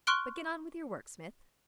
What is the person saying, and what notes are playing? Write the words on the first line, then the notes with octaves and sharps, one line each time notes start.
But get on with your work, Smith.
C6 C#6 F6 F#6 D7 G7